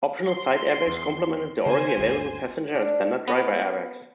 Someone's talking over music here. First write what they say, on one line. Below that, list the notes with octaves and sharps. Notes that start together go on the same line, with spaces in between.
Optional side airbags complemented the already available passenger and standard driver airbags.
C6
E2
C#3 B3 C5 G#5
G1 D2
D4
B3